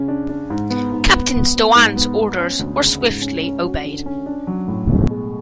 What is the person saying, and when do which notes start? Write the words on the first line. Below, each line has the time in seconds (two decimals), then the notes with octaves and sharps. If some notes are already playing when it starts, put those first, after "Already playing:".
Captain Doane's orders were swiftly obeyed.
Already playing: C#3 C#4
0.08 D4
0.29 D4
0.50 G#2
0.70 B3
0.92 G#2
1.12 B3
1.34 B3
1.55 B3
1.75 G#2
1.96 B3
2.17 B3
2.39 C#4
2.59 D2
2.80 C#3
3.01 G#2
3.22 C#4
3.43 C#4
3.64 F#4
3.85 D3
4.06 C#4
4.26 D4
4.47 F#3
4.68 A2
4.89 B2
5.10 G#3